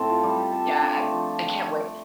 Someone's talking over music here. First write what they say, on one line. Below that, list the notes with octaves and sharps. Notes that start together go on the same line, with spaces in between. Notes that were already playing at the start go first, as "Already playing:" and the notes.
Yeah, I I can't wait.
Already playing: A2 C4 A4
F4
G3
G4
A4
D4
D4
A3
F3